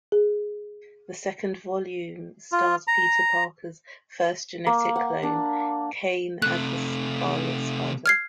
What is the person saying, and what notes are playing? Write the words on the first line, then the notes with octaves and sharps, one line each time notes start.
The second volume stars Peter Parker's first genetic clone, Kaine as the Scarlet Spider.
G#4
F4
A#5
A#3
F#5
D4
C3 A3 F#6
F6 G#6 C7